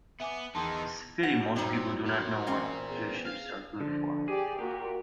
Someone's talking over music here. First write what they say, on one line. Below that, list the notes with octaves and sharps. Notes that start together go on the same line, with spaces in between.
It's a pity most people do not know what gearshifts are good for.
B3 E5 G#5 D6
E2 D#3 D#4 A5 C6
F#3 F#5
F#2 A2 C3 G3 D#4
A#2
E3 C4 C#4
B3 G#4
F5
D3 F3
G4 G#4 D5
A#2 F#4 G4